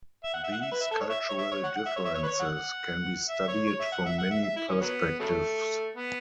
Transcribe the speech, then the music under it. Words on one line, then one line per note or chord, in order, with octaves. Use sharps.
These cultural differences can be studied from many perspectives.
E5
F#5
E5
F#5
E5
B4
E5
A4
C#5
E5
E5
C#5
E5
C#5
F#5
F#5
E5
C#5
E5
C#5
B4
C#5
F#5
E5
C#5
C#5
E5
F#5
E5
F#5
E5
E5
E4
C#4
F#3 B3
C#3 F#3 A3
B3